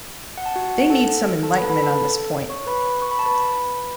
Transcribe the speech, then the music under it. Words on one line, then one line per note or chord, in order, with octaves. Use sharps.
They need some enlightenment on this point.
F#5
A5
F#4 F#5
F#5
A4 A5
A4 A5
B4 B5
B4 B5
A4 A5
C#5 C#6
B4 B5
C#6
B5
A5
B4 B5